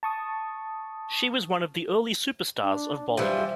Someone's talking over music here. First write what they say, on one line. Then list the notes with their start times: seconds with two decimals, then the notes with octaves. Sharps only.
She was one of the early superstars of Bollywood.
0.03 A5 C#6 D#6
2.63 D4
3.17 E3 F3 G3 C5